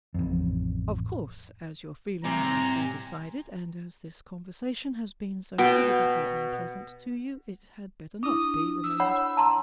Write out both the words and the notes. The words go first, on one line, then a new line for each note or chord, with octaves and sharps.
'Of course, as your feelings are so decided, and as this conversation has been so evidently unpleasant to you, it had better not be remembered.
A1 F2
A2 C3 G3 G#5 A#5
B2 G5
D4 E4 D#6
E6
C#5 F#5 B5
A5 A#5 C6